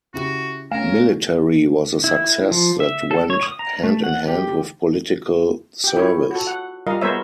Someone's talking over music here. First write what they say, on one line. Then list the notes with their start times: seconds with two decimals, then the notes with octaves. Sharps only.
Military was a success that went hand in hand with political service.
0.14 C#3 E4 F#4 G4
0.72 A3 C#4 A#4 F5 G#5 A#6 E7
2.04 E4
2.51 F3
2.80 E5
3.11 A4
3.30 C#5
3.43 D#6
3.59 A#5
3.83 A3
4.04 F#5
4.28 G4
5.84 G4 G5
5.97 E4 F4 C#5
6.31 F#4 A4
6.47 F#5
6.87 G3 F4 A#4 D#5 F5
7.01 G#3 B3 A#4 C5 C#5 E5